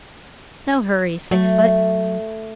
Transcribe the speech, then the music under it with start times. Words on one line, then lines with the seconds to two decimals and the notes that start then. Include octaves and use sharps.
No hurry, six-foot.
1.31 F#3 A3